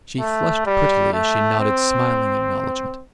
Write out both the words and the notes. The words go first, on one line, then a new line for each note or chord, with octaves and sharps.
She flushed prettily as she nodded smiling acknowledgement.
A3
G3
A3
C4